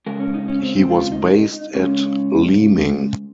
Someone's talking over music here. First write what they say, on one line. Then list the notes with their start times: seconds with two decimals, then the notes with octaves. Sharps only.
He was based at Leeming.
0.06 C#3 G#3 A#4
0.20 C#4
0.34 D#4
0.48 C#4
0.62 C4
0.77 C4
0.90 F4
1.12 D#4
1.75 C#3 G#3 C#4